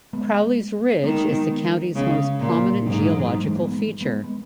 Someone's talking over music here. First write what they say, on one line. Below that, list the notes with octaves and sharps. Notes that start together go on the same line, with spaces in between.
Crowley's Ridge is the county's most prominent geological feature.
G#3 B3
D#3 G#3 B3
A#3
G#3 B3
G#3 B3
C#3 G#3 B3
A#2
G#2 F#3 A#3
A#3
E3 G#3
F#3 A#3
E3 G#3
G#3 B3
G#3 B3
G#3 B3
G#3 B3